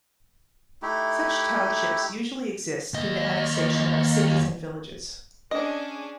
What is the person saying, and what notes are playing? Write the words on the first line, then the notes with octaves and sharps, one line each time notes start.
Such townships usually exist due to annexation by cities and villages.
A3 D#4 E4 G4
D#2 D#5
C#4 D4 G#4 D#5